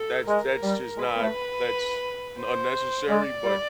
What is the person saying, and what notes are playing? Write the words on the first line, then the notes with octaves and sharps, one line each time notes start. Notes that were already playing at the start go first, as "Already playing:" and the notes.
That's that's just not that's n unnecessary, but
Already playing: A4
G#3 A#4
G3
G#3 B4
A#3
A3
C5
G#3 D5
G3